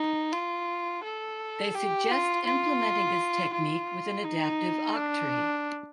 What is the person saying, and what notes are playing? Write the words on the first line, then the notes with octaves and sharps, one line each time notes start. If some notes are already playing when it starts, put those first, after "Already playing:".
They suggest implementing this technique with an adaptive octree.
Already playing: D#4
F4
A4
G4
F4
F4
F4
D#4
D4